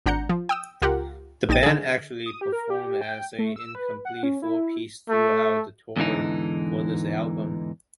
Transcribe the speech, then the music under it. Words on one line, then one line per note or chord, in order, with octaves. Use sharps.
The band actually performed as an incomplete four-piece throughout the tour for this album.
G#1 D4 F#5 A#5 G6 C#7
F3
G5 D#6 E6
C#2 F4 G4 A#4 F#5
A#1 D#4 G5 A6 D#7
D3 G#4
D#6
G4
A#4
G4
G5
A3
E6
B4
F#5
C#4
E4
A3
E2 G#2 D3 E3 D#4